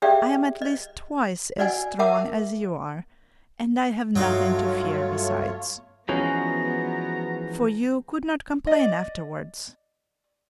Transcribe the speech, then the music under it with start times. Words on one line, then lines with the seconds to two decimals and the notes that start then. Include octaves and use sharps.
I am at least twice as strong as you are and I have nothing to fear, besides. For you could not complain afterwards.
0.02 G4 G#4 D5 E5 F5 G5
0.62 D#5
1.58 F#4 D5 D#5 F#5 G#5
1.99 A#4 E5 F#5 A5 D6
4.16 G2 F#3 A3 D#4 F4 C#5 F5
6.09 E3 F3 G#3 B3 C#4 F#4 A#5
8.67 D5 D#5